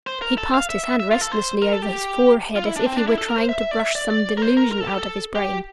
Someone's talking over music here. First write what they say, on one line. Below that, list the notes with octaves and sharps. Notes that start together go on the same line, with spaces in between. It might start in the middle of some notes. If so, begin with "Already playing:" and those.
He passed his hand restlessly over his forehead, as if he were trying to brush some delusion out of his brain.
C5
A#4
A4
F5
E5
E5
E5
F4
A4
C5
A#4
A4
G4
F4
E4
D4
C4
D4
E4
A4
A#4
C5
E5
D5
E5
D5
D5
A#4
C5
A#4
A#4
A4
G4
A4
G4